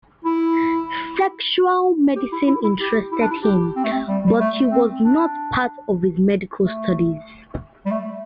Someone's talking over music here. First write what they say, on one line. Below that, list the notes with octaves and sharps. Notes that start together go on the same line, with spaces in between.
Sexual medicine interested him, but was not part of his medical studies.
E4
G4
E4
E4
E4
G4
E4
D4
E4
G4
C4
A3
C4
G3
G3
A3
C4
D4
A3
G3
A3